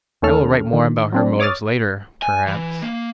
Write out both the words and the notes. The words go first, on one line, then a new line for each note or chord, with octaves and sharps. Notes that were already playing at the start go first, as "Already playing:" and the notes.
I will write more about her motives later, perhaps.
D#2 D#3 A3 C#4 A4 F6
D3 D#3
F#3 C4 D4
C#5 D6 D#6 F6 A6
G#5
E3
A#3